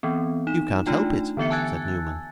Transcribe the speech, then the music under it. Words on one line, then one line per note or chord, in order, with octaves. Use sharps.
'You can't help it,' said Newman.
E3 B3 C4
D#4 E7
A3 D4 D#4 F4 G5
D3 E3 B3 E5 C#7
G#5 A5 E6 F#6 G#6 A6